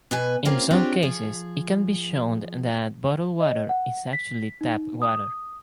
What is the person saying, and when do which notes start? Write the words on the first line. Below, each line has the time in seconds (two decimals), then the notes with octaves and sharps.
In some cases it can be shown that bottled water is actually tap water.
0.11 B2 B4 G#5
0.45 A#3 C4 C#4 F4 G#4
0.70 C4 D4 F4 G4 G#4 C#5
1.03 F3 G#4
3.40 D#5
3.69 F#5
4.13 B6
4.61 D#4
5.02 D#6